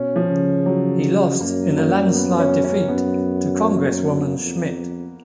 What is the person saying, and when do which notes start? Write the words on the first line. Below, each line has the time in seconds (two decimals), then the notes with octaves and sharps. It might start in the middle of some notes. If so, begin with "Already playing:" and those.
He lost in a landslide defeat to Congresswoman Schmidt.
Already playing: B2 C#4
0.16 F3
0.29 C#3
0.66 F#3
1.40 F#2 A#3
1.78 A#3
2.14 B3
2.40 C#4
2.64 C#4
2.88 F#2 B3
3.63 A#3
4.38 F2